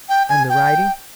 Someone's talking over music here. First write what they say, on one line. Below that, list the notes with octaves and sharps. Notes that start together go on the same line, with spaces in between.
"And the writing?"
G5
G#5
G5